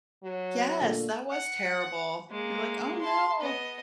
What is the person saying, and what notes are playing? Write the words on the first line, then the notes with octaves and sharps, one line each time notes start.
Yes. That was terrible. You're like, "Oh, no."
F#3
A#2 D3 A3
F#5
G#3 A#3
A5 C6
B3 D#5